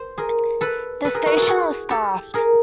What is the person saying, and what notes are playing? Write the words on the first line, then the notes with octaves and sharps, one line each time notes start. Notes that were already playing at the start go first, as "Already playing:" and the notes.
The station was staffed.
Already playing: C5
G#4 A#4
A4 B4
A4 B4
G#4 A#4
E4 F#4
F#4 G#4
A4
F#4 G#4
G4 A4
G#4 A#4